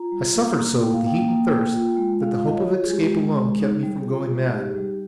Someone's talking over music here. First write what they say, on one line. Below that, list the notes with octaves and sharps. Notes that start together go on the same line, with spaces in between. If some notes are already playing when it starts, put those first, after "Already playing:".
I suffered so with the heat and thirst, that the hope of escape alone kept me from going mad.
Already playing: F4 A#5
G3
A#3
A#3
A#3 G5
F5
A#3 G5
A#3
A#3
F4
G#3
F4 F5
F5
G3 D#5
C#5
F4 C#5
G#4
G#3 G4
G#4
G#3
G#3
D#4
G3
F4 G#4
G#3
G#4
D#4 G4
G3